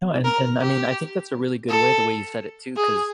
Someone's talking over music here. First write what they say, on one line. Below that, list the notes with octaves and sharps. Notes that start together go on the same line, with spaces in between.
No, and and, I mean, I think that's a really good way the way you said it too, 'cause
A#4
G4
A4
G#4